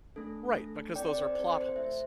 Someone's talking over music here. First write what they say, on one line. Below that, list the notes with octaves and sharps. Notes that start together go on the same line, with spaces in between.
Right, because those are plot holes.
A3 D4 A4
A3 D4 A4
C4 E4 A4 D5 G5
D5 G5
C5
D5
C4 E4 A4 C5
C5
C5
A3 E4 A4 C5 E5